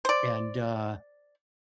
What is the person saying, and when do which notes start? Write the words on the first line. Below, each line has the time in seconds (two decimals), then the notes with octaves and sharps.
And, uh,
0.05 C5 D5